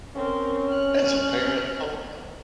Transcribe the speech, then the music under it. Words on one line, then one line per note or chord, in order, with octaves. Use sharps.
As a parent, oh my god.
C4 C#4 A#4
F6 F#6